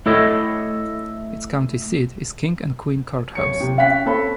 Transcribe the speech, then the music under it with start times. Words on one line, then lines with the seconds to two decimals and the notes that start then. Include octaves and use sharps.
Its county seat is King and Queen Court House.
0.06 A3 E4 A4 C#5 D#5
3.35 D1 C#5 C#7
3.60 C3
3.77 C#4 F5 G5 F#6 B6
4.06 C4 A4 C#5 B5